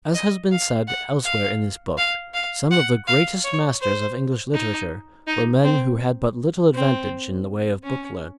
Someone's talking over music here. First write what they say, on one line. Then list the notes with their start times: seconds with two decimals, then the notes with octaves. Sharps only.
As has been said elsewhere in this book, some of the greatest masters of English literature were men who had but little advantage in the way of book learning.
0.14 D#5
0.51 F5
0.88 F#5
1.24 F5
1.98 F5
2.34 F5
2.71 F#5
3.08 F5
3.44 C#5
3.81 C5
4.54 D#4
5.27 D#4
5.64 C4
6.74 C4
7.84 C#4